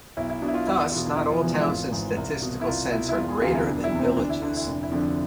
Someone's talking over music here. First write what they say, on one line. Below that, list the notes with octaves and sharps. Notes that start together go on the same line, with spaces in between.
Thus, not all towns in statistical sense are greater than villages.
B1 E4
E4
B2 D4
E4
F4
E1 E4
E2 B2 F4
D4
E1 E4
F3
E2 B2 E3
G#3
E4
G#1 F4
G#2 E3
C2
B2
E4
C2 F4
B2 E4
E4
E1 F4
G#4
D2 C3 E3 F4
E4
E1 D4
E4
E2 C3
C4
D2 D4
E4
D3 D4
E4
F1 D4
E4
F2 D3 D4